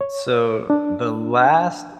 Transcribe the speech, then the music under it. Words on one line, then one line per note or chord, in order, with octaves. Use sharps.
So, the last
C#5
D4